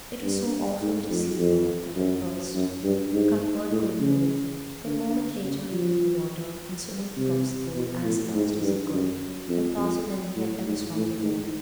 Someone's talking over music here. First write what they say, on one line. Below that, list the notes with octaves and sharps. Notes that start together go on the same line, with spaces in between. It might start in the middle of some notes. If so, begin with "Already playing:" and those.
It was so awful to see her that at first Cuthbert couldn't move; but a moment later he was in the water and swimming across the pool as fast as he could, and faster than he had ever swum before.
G2
G#2
F2
F2
F#2
F#2
G2
G#2
A2
C#3
D3
C#3
F3
C3
B2
A2
G#2
G2
F#2
F2
F2
A2
G#2
A2
G#2